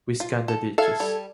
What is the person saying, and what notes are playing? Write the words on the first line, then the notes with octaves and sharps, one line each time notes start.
We scan the ditches.
F4
A4
A4 E5 F5 G#6
G3